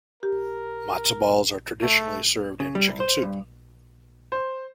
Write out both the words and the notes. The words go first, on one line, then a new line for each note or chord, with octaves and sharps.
Matzah balls are traditionally served in chicken soup.
G4 A#4
A3
C#3
G3
C2
C5
G2
C5